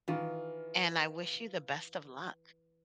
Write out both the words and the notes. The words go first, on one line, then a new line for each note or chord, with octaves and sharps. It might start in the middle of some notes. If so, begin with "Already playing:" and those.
and I wish you the best of luck.
D#3 E3 F4